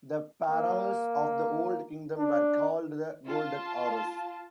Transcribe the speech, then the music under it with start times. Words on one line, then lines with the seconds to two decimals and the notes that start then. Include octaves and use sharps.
The Pharaohs of the Old Kingdom were called the "Golden Horus".
0.50 A#3
2.17 D4
3.26 F4 A5